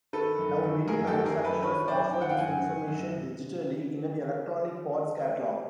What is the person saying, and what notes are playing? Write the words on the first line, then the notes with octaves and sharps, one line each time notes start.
Now, many manufacturers offer this information digitally in an electronic parts catalogue.
D#3 A4 B4
F#2
D#3
F#2 G#4 A#4
G4 A4
D#3
G#4 A#4
F#2
A4 B4
D#3 B4 C#5
F#2 C5 D5
D#3 G5
F#5
F5 G5
F#2 F#5 G#5
D#3
F#2